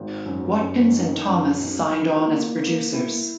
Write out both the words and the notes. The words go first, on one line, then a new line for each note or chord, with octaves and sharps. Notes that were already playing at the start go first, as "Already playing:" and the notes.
Watkins and Thomas signed on as producers.
Already playing: G#1
F#2
F#2
D#3
F#2
B1
E4
A#3
A#3
E4